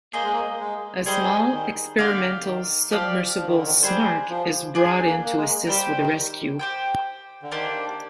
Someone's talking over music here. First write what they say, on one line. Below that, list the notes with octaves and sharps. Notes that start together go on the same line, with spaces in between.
A small experimental submersible, "Snark", is brought in to assist with the rescue.
A#3 G#4 C5 D#5
G#3
A#3
G#3
G3 G#4 C5 D#5
D#3
D3 G4 D5 F5
D#3
F3 G4 D5 F5
F3
D#3
D3
D#3
G3 D4 G#4 C5
F3
D4 G#4 C5
A#3
A#3
G#3
G3 G4 C5 G5
D#3
G4 C5 G5
D3
D#3 A#3 D4 G4 C5